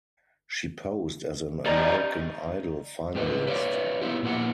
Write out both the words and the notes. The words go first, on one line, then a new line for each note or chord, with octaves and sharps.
She posed as an American Idol Finalist.
G3 D#4 D5 A#5
A2 G4 B4 D#5
B4 C#5 D5 F5
B3 E4 G4
A#2 A#3 E4 F#5